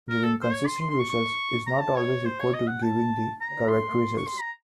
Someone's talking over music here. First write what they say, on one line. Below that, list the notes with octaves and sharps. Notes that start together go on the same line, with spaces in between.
Giving consistent results is not always equal to giving the correct results.
A#4
A4
C5
C#5
C6
C6
C6
C#6
C#6
A#5
A5
C#5
C5
C#5
D#5
F#5
A5
A#5
C6
C#6
C6
A#5